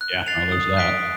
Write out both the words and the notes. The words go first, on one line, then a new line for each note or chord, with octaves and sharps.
Yeah, well, there's that.
F#6
A6 C7 F7
D#6
F#6 B6 D7